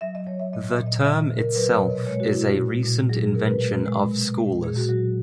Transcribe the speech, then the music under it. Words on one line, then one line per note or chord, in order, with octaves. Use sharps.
The term itself is a recent invention of scholars.
F#3 E5
D#5
F#3 C#5
E5
A#2 D#5
E5
A#2
D#5
C#3 E5
D#5
C#3
A#4
F#3 B4
C#5
B2
D#5
G#3 C#5
F#4
B2 E4
F#4
A#2
A#2
F#3 G#4
G#4
B2 A#4
B4
G#3
G#3
B2
G#3
A#2 G#4
F#4
F#3 F#4